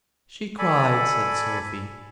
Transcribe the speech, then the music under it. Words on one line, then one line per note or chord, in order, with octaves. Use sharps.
"She cried," said Sophie.
A4 D5 G#5 B5